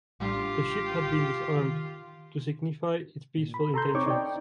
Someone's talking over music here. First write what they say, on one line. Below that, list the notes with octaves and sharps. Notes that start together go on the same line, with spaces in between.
The ship had been disarmed to signify its peaceful intentions.
A1 G3 D4 F4 G4
D#3
A#2
B5
A4 A#5 C6 G6
C4 D#4 C5 C#5 C#6 D6
D#4 D5 G5